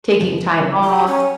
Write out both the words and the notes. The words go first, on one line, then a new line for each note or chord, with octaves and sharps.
taking time off,
F#2 C#3 F3
C#3 F#3
G4
C#4